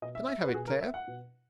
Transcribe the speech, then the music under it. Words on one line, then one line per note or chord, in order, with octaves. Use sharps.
Can I have it, Claire?
B2 D#5
E5
E5
B4
F#4
B2 G#4
A#4
E5
F#5
B2